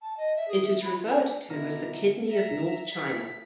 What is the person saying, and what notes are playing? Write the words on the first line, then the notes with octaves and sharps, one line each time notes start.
It is referred to as the Kidney of North China.
A5
D#5
E5
G#4
E5
B5
F4
G#5
B2 D3 E4 F4 E5 F5 A#5
E5 A#5
B6